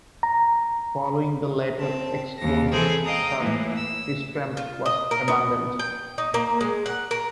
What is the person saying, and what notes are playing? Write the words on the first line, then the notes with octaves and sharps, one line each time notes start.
Following the later explosion, "Sir Tristram" was abandoned.
A#5
C4 A5
D#2 A#6
E3 C4 G#4 A4
D#5 F5 G5 A#5 D#6
A2 E3 A#3
E6
F4
D#5
A#4
B3
G5
D#4
A#3
G#3
F#5
A#4